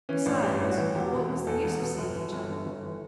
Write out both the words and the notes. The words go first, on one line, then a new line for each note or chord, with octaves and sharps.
Besides, what was the use of seeing each other?
E3 C#4
A1 D4
G2 G4
A1
F#4
E3
E1 G4
B2
E1
E2 A4
E1
B2
G1
E3
G1
G2
G1
E3